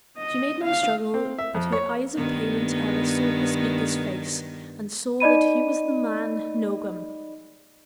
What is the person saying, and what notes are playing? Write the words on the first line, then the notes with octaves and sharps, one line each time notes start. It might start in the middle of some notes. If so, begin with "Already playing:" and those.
She made no struggle, but her eyes of pain and terror sought the speaker's face, and saw that he was the man Nogam.
D#5
F5
C4
E5
F2
C#5
G2 D#3 B3
D#4 D5 D#5 B5 D#7